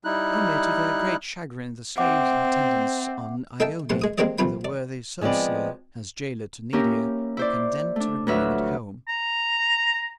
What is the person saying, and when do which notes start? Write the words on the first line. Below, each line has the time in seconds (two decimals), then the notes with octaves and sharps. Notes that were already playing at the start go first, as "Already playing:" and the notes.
Only, to their great chagrin, the slaves in attendance on Ione, and the worthy Sosia, as gaoler to Nydia, were condemned to remain at home.
0.04 G3 D#4 E4 F#6
1.98 C4 E5 F#5 D6
3.60 D#4 A4 E5 F5 G5 A5
3.90 B1 C3 F#5 C6
4.02 G#3 D#6
4.18 G#3 A#3 C4 G4 D5 D#5
4.39 B1 C3 F4 B5
4.65 D5
5.21 F3 G#3 B3 C4 D5
6.73 A#3 C#4 E4 G4 A#4
7.37 E4 C5 D5
7.96 A3 D4
8.27 D2 F3 F#3 B4 E5 F6
9.09 A#5